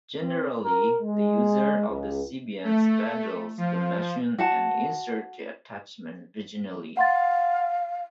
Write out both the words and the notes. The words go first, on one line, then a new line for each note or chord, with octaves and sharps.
Generally, the user of the Sybian straddles the machine and inserts the attachment vaginally.
C4
A#4
G#3
C#2
A3
F3
F#4 F#5 A5
F5 F#5 C6 A6